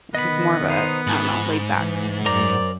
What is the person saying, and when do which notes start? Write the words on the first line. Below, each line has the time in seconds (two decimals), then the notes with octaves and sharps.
it's just more of a I don't know, laid back,
0.15 D#3 B3 D#5 B5
0.70 D#4 C5
1.07 G#2 B5
1.77 E3
2.26 F#2 A#4 C5 D5 A#5